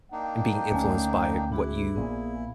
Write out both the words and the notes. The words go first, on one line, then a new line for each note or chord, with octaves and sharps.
and being influenced by what you
A#3 D4 D#4 G5
D2 A3 C#4 G#5
D4 E4 F#4 G#4
A#1 A#2 B3 G#4